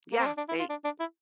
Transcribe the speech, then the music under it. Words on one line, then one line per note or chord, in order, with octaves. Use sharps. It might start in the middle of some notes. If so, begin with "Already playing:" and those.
Yeah, they
A#3
C4
D4
D4
E4
F4
D4
D4
E4